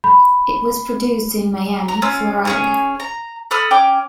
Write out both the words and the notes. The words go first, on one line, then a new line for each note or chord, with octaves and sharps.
It was produced in Miami, Florida.
B5
A#5
C#4 F4 E6
C#4 G#4 C#5
A#5
A4 B5 D#6 F6
C#4 G5 D6